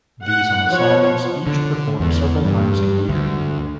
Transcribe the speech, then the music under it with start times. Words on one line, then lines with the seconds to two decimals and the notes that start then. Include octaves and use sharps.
These ensembles each perform several times a year.
0.23 F#5
0.70 F3 C#5
1.47 D3
2.00 E2
2.44 G2
3.09 D2